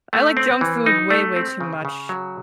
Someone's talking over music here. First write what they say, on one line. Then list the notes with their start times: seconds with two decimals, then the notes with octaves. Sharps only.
I like junk food way, way too much.
0.13 A3
0.37 C4
0.61 E3
0.86 D#4
1.10 A3
1.36 C4
1.60 C#3
1.85 C#3
2.09 F#3